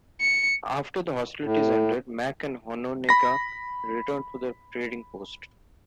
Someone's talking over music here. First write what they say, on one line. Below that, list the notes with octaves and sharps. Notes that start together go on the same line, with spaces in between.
After the hostilities ended, Mack and Hononegah returned to their trading post.
C#7
A2
B5 A#6